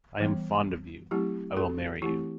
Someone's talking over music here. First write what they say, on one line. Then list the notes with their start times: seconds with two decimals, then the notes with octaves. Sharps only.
I am fond of you. I will marry you.
0.20 E3 G3 B3
1.11 F#3 A3 C4 E4 G4
1.56 F#4 A4
2.02 E3 A3 C4 E4 G4